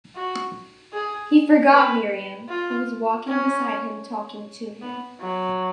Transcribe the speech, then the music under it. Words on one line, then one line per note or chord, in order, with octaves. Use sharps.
He forgot Miriam, who was walking beside him talking to him.
F#4
G#4
B4
F4
C#4
B3
F#3